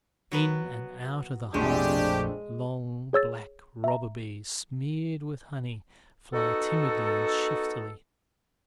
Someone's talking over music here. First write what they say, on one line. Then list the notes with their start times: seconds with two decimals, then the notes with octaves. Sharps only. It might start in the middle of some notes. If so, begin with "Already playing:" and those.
In and out of the hive long black robber bees smeared with honey fly timidly and shiftily.
0.32 F#3 B3 B4
1.54 A#1 F2 G#3 A3 C4 D4 G4
3.13 G#4 C#5 E6 A6
3.84 E5 A#5
6.33 B3 D#4 F#4 A4